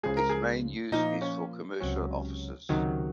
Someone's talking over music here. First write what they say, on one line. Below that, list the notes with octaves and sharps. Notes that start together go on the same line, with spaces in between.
Its main use is for commercial offices.
C#2 C#3 F3 G#3 G#4
A#4
G#4
A#2 F3 A#3 D#4
C#4
C#2 C3 F#3 C#4
C#2 C3 D#3 F#3